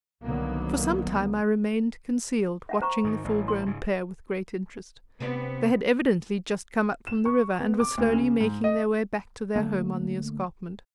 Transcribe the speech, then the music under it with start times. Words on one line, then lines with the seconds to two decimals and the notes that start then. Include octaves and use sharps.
For some time I remained concealed, watching the full-grown pair with great interest: they had evidently just come up from the river, and were slowly making their way back to their home on the escarpment.
0.24 C2 D3 D#3 F#3 A#3 B3
2.69 E5 F#5 A5
2.82 C5 A#5 C#6
3.04 G#2 D#3
3.24 A1 A2
3.48 C6
3.66 G#2 C#3
5.20 C3 B3 C4 D4 B4
7.07 E7
7.25 C#6
7.60 B3
7.80 D6
7.98 D2
8.13 C#3
8.40 G#2
8.64 D#5
9.56 D3 A3 A#3